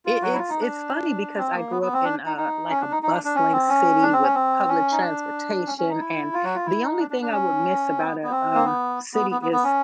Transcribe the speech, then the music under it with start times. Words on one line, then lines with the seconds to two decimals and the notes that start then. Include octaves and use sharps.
it it's it's funny because I grew up in a, like, a bustling city with public transportation, and the only thing I would miss about a, um, city is
0.05 F4
0.22 F#3 F#4
0.33 E4
0.38 F4
0.49 D#4
0.61 D4
1.38 C4
1.54 A#3
1.71 B3
1.82 B3
1.93 C4
2.04 D4
2.26 D#4
2.37 D#4
2.70 C#4
2.81 D4
2.92 D#4
3.03 D#4
3.13 D4
3.25 D4
3.36 C#4
3.52 C4
3.69 C#4
4.02 D4
4.13 C4
4.24 C#4
4.35 C4
4.69 C#4
4.92 D#4
5.01 D4
5.67 C#4
5.78 C#4
5.89 D#4
6.00 E4
6.33 F4
6.44 F#3 F#4
6.55 F4
6.66 E4
6.83 D#4
6.99 D4
7.10 D4
7.22 D4
7.32 C#4
7.99 C4
8.07 B3
8.23 B3
8.31 C4
8.55 A#3
8.65 B3
9.14 B3
9.31 B3
9.42 B3
9.52 B3
9.64 C#4